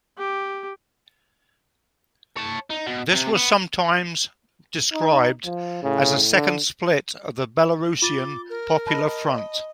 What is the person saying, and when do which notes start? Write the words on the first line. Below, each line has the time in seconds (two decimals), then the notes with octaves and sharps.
This was sometimes described as a "second split" of the Belarusian Popular Front.
0.18 G4
2.37 C#5 A5
2.70 D#4
2.87 B2
3.11 C3
3.36 B3
4.93 D#4
5.45 F3
5.83 A2 C#3
6.33 D3
8.02 F4 D6 A6 G7
8.50 A#4
8.87 D#5 A5 B5 A#6